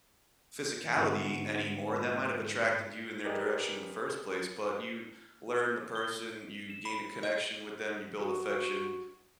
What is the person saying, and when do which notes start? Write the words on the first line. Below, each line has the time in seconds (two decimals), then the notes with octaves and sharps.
physicality anymore. That might have attracted you in their direction in the first place, but you learn the person, you gain a connection with them, you build affection,
0.96 G#2 D3 B3 E4 F#4
3.25 G4 G#4 A#4 B4 D5 D#5
5.95 G7
6.70 E7
6.85 B5
7.23 D#5
8.20 F#4